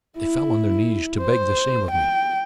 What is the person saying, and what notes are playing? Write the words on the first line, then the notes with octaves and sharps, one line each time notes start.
They fell on their knees to beg the same of me.
E4
C5
G5